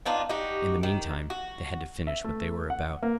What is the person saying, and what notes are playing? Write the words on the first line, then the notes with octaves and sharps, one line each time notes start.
In the meantime they had to finish what they were about.
B3 D4 D#4 F4
D#4 F#4 G4
D#3
F#4
E5
A3
F#5
A#3